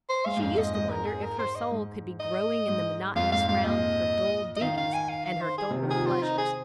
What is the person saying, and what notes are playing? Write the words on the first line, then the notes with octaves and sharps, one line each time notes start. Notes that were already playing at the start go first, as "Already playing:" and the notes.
She used to wonder if her soul could be growing in the monotonous round of her dull duties and her duller pleasures.
C5
G#3 F5
G#2
F2 F5
G#2 D#5
G#2 D#5
A#4
G#4
A#4
C5
D#5
G#2
D#5
G#2
F2 F5
G#2 F5
G#2 F5
A#2 D#5
D#5
D#3 F5
F5
G#5
F5
F5
C5
G#4
C3
D#3
F3 G#4
C4 F4
D#4
G#4